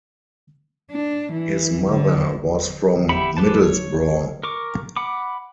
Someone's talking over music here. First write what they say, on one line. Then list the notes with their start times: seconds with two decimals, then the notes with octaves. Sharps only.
His mother was from Middlesbrough.
0.91 D4
1.32 E3
1.90 D3
3.09 E4 G4 E5 F#5 B5
3.37 E3 G4 B4 C5 A5
3.63 C#5
4.43 A#4 C#6 D6
4.96 F#5 B5 D6